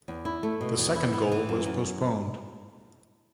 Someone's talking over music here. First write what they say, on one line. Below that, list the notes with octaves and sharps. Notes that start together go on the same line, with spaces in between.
The second goal was postponed.
E2
E4
A3
B2
E2
E4
B3
E3
F#2
F#2